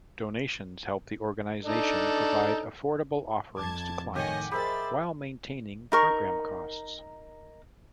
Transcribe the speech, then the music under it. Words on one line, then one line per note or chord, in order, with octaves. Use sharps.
Donations help the organization provide affordable offerings to clients while maintaining program costs.
D4 D#4 A4
F2 A5 D6 G#6
A2 D#3 G4 C#5 D#5 F#5 G#5
G4 G#4 A#4 C5 D#5 E5 B5 A6
D#4 A#4 C#6